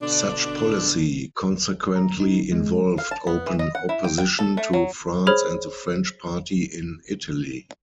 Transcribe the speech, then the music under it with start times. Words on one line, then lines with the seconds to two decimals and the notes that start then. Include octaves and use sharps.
Such policy consequently involved open opposition to France and the French party in Italy.
0.01 B2 D3 D4
1.96 A#5
2.20 D#4
2.52 G#3
2.98 F5
3.11 A5
3.27 B3
3.46 E3
3.59 D#5
3.75 F#5
3.89 E4
4.05 G5
4.18 G5
4.39 A4
4.57 A3
4.73 F#3
5.27 G#4 C5 C#5 B5 F6